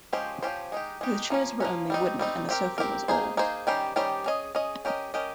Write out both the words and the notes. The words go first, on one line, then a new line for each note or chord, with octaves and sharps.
The chairs were only wooden, and the sofa was old.
F3 G#3 C#4 G4 C5
F3 G#3 C#4 G4 C5
G#3 D#4 G4
G#3 D#4 G4
F3 A#3 C#4
F3 A#3 C#4
G3 C4 D#4
G3 C4 D#4
C4 G4 A#4
C4 G4 A#4
A#3 D#4 G#4 C5
A#3 D#4 G#4 C5
D#3 G3 C#4 G4 C5
D#3 G3 C#4 G4 C5
C#4 G#4 D#5
C#4 G#4 D#5
C#4 G4 A#4 D#5
C#4 G4 A#4 D#5